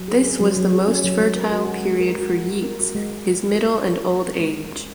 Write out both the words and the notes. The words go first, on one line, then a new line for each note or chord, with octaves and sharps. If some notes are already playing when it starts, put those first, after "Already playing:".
This was the most fertile period for Yeats, his middle and old age.
Already playing: F#3
G#4
C#4
F#3
F#3
G#4
C#4
F#3
G#3
A#4
F#4
G#3
G#3
A#4
F#4
G#3
G#3
A#4
F#4
G#3
G#3
A#4
F#4
G#3
G#3
A#4
C#4
G#3
G#3
A#4
C#4